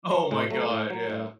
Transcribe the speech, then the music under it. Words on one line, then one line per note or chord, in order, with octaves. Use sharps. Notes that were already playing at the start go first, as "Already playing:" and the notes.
Oh my god. Yeah.
F#3
A2 G#3
F#3 A3
A2
F#3
A2